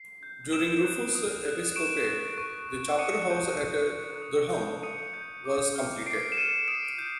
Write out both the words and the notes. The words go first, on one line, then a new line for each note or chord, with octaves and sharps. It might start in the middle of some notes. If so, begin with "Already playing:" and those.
During Rufus' episcopate the chapterhouse at Durham was completed.
Already playing: C7
G6
D#6 D7 E7
F#6
D#6
F#6
C#6 D7 E7
F#6
C#6
F#6
D#6 C#7 D#7
G6
D#6
G6
D#6
G6
D#6 C#7 D#7
G6
D6
F6
D6 C7 D7
E7
F6 C#7 D#7
D#6 C7 D7
G6